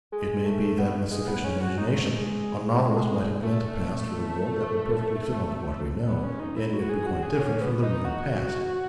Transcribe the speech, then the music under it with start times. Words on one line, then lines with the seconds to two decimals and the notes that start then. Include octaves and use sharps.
It may be that, with sufficient imagination, a novelist might invent a past for the world that would perfectly fit on to what we know, and yet be quite different from the real past.
0.12 G#3
0.45 A3
0.78 B3
1.11 G#3
1.28 B3
1.44 C#4
1.61 F#4
1.78 D#4
1.87 G#3
1.94 A3
2.11 G#3
3.43 A3
6.07 B3
6.23 C#4
6.40 D#4
6.56 E4
6.73 F#4
6.89 G#4
7.06 F#4
7.23 G#4
7.39 C#4
7.61 B3
7.83 D#4
8.05 F#4